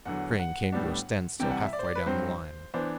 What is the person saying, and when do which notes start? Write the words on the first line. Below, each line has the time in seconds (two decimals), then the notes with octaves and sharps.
The crane came to a standstill half-way down the line.
0.05 E2 D3 F#3 F#5
0.39 F#5
0.72 A2 G3 B3 D4
1.40 C3 E3 G3 G5
1.51 F#5
1.62 E5
1.73 D5
1.79 C5
1.84 D5
1.95 B4
2.06 G2 F#3 C4 C5
2.74 E3 B3 D4 C5